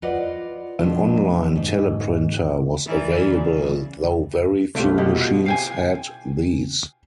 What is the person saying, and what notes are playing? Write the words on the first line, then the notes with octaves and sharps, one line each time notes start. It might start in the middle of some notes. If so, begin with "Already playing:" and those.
An online teleprinter was available, though very few machines had these.
F4 B4 C5 D5 D#5 F#5
B2 F3 D4 E4 G4 C5
G#2
E3 A#4 D5
C#3
C2 A3 F4 G4
B2 F4 G4 D#5
F5 G5 G#5